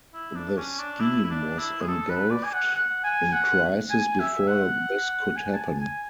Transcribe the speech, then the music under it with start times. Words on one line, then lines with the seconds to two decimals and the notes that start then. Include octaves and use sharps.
The scheme was engulfed in crisis before this could happen.
0.14 E4
0.36 D4
0.57 C#4
0.79 D4
1.01 E4
1.24 E4
1.30 D4
1.58 E4
1.81 G#4
1.88 A4
2.10 B4
2.31 D5
2.44 G#5
2.53 F#5
2.75 F#5
3.04 G#5
3.32 F#5
3.90 G#5
4.20 E5
4.48 F#5
5.36 G#5
5.53 A5
5.56 G#5
5.79 G#5